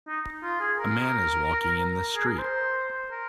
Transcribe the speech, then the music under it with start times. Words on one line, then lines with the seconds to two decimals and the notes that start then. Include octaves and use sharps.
A man is walking in the street.
0.08 D#4
0.43 F4
0.60 G#4
0.79 A#4
2.16 G#4
2.27 A#4
2.39 C5
3.11 A#4